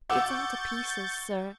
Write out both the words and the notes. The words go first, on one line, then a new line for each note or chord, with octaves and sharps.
'It's all to pieces, sir.
F#5 C#6 D6 E6 G6 A6